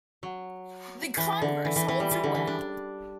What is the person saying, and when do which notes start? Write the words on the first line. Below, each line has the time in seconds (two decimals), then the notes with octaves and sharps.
The converse holds as well.
0.23 F#3
1.17 E3
1.42 D3
1.65 E3
1.76 E3
1.88 E3
2.00 G3
2.11 E3
2.24 D3
2.35 E3
2.47 D4